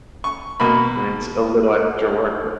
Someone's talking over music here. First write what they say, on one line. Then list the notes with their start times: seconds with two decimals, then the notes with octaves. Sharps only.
I mean, it's a little extra work, but
0.24 C#6
0.60 B2 A#3 B5